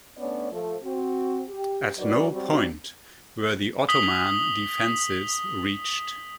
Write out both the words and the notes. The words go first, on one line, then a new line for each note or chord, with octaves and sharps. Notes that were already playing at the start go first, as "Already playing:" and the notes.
At no point were the Ottoman defences reached.
A3 B3 C#4 D4 C#5 D5
F3 A3
C4 F#4
G4
D#3 F#3 D4 A#4 B4 D5
F#3 G3 C4 F#4
D#6 B6 F#7 G7